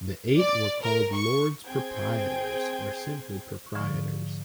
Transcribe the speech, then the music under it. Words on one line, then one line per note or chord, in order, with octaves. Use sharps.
The eight were called "Lords Proprietors" or simply "Proprietors".
D5
A#4
C#6
C4 G#4 C5 G5 G#6
G#2 D3 F3 C#6